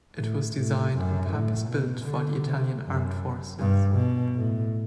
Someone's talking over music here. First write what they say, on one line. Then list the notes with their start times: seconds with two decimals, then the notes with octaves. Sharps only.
It was designed and purpose-built for the Italian armed forces.
0.16 A2
0.54 A2
0.93 F#2
1.31 A2
1.69 B2
2.06 D3
2.45 C3
2.82 F#2
3.59 G2
3.96 B2
4.35 A2